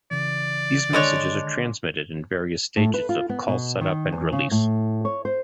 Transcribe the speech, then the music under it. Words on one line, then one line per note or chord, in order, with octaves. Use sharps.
These messages are transmitted in various stages of call setup and release.
C#3 E3 D5
D3 D#3 G#3 D4 C#5 D#5
A2
B4
F4
B3
B2
D#3
E2
C#3
A2
C#5
C5